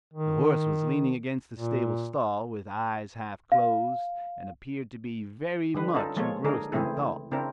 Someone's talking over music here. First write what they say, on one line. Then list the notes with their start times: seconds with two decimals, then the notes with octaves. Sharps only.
The horse was leaning against the stable stall, with eyes half closed, and appeared to be very much engrossed in thought.
0.14 D#3
1.56 A#2
3.52 F5
5.75 D3 G3 B4
5.94 C#4 D#4 F4 A4
6.16 F3 G#3 A#3 F4 A4 C#5
6.44 D3 D4 D#4 G#4 A#4
6.72 C#3 E3 A3 C4 E4 G#4
7.31 C#3 C4 D4 E4 A#4